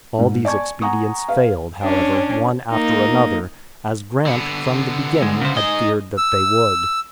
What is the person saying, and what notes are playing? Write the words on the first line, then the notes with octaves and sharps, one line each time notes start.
All these expedients failed, however, one after another, as Grant, from the beginning, had feared that they would.
G#2
D5 G#5 A5 C#6 G#6
F#5 G#5 A#5 C#6 D#6
B4 F5
C#4 D4
A#3 D#4
D3 B3
G#3
C#3 C5
D#4 D#5 G#5
E6